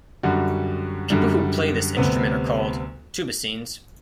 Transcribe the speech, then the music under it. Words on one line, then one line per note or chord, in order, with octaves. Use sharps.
People who play this instrument are called "tubicines".
F#2 D3 G3 F#4
F#2 D3 G3
D2 C3 G3 B3